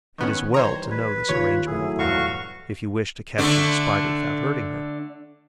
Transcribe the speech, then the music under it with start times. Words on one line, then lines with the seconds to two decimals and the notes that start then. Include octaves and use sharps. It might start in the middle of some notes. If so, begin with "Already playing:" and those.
It is well to know this arrangement of the home, if you wish to capture the Spider without hurting her.
0.18 D#3 B3 C#4
0.54 D#3 E3 G3 C5 C#5 A#5
0.91 B4 G#6
1.29 D#2 F4 C#5 G#6
1.67 F#3 A3 E4 G#4 E6
1.99 E2 G2 A#2 F#4 A4 F5 C#6
3.38 D3 A3 D4